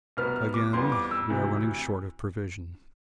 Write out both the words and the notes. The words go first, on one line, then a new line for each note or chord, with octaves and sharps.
Again we are running short of provision.
C2 B2 B3 F6
F6
D6
F2 E3 G3 B3 C6
D6
E6
D2 C3 E3